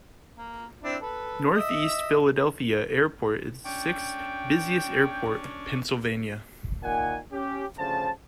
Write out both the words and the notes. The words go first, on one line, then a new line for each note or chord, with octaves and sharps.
Northeast Philadelphia Airport is the sixth busiest airport in Pennsylvania.
A#3
C4 D4 E4
A4 B4
D#5 E5
C#4 D4 G5
A#2 D#3 F#5 G#5
C#4 G4
D2 C#3 F3 C5 A5